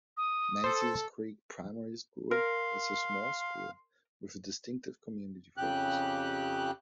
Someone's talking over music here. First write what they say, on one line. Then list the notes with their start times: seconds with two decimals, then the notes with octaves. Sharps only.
Menzies Creek Primary School is a small school with a distinctive community focus.
0.17 D#6
0.64 A4 C5
2.31 A#4 F5 C6
5.57 F2 C#3 G4 F#6